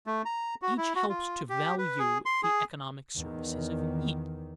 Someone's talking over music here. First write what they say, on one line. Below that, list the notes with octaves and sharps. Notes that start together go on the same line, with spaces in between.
Each helps to value the economic services of each.
A3
A#5
F#4
E4
F#4
F4
G4
B4
G#4
C6
G#4
E2 D#3